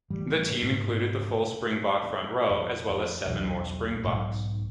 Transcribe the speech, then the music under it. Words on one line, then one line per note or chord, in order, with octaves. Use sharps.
The team included the full Springbok front row as well as seven more Springboks.
A1 G3
G#2 B2
F2
F2
B1 E2
B1 G#2